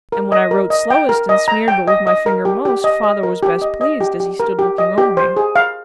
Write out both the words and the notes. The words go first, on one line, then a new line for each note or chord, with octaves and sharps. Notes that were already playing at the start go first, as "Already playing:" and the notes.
And when I wrote slowest and smeared but with my finger most, father was best pleased, as he stood looking over me.'
A#4
D#5
A#4
D#5
G5
A#4
D#5
A#5
G5
D#5
D#5
A#4
G4
G4
D#5
D#5
A#4
G4
D#5
D#5
G4
G4
A#4
G4
D#5
G4
C5
G#4
F5